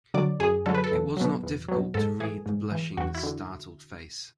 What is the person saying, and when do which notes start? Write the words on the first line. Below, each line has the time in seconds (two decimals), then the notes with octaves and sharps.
It was not difficult to read the blushing, startled face.
0.14 D3 F#3 D5
0.40 F#2 G#4
0.66 D3 F#3 A4
0.74 B4
0.84 A4
0.92 E2
1.17 B2 F#3
1.43 E2
1.68 B2 F#3
1.94 G#2 A4
2.20 E3 G#4
2.46 G#2
2.72 E3
2.97 E2 F#4
3.15 E4
3.23 D3